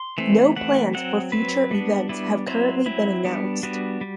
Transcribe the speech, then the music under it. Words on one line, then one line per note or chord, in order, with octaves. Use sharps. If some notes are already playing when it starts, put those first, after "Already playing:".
No plans for future events have currently been announced.
Already playing: C6
E3 A3 C4
E3 A3 C4 F#5
F#3 C4 F#5
F#3 C4 B4
G3 B3 D4
G3 B3 D4 E4
F#3 C4 E4
F#3 C4 E4
G3 B3 D4
G3 B3 D4 F#4
G3